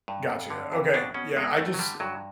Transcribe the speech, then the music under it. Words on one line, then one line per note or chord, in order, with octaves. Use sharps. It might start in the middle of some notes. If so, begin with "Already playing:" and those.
gotcha. Okay, yeah. I just
G2
F2
D3
F2
B2 D4
B2 C#4
E2 G#3
G2 A3
F#3
D3 G3
G2 F#3